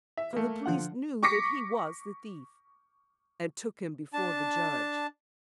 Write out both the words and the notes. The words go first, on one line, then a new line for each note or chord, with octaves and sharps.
So the police knew that he was the thief, and took him before the judge.
E5
A3 A#3
D3 F3 F4 F#5
C#6 D6 A#6 B6 C#7
D4 A5